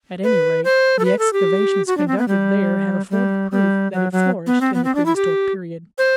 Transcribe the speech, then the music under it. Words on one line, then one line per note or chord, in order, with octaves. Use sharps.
At any rate, the excavations conducted there have afforded proof that it flourished in the prehistoric period.
B4
C5
A4
B4
A4
G4
F#4
D4
C4
B3
G3
G3
G3
F#3
F#3
B3
C4
B3
C4
D4
E4
G4
C5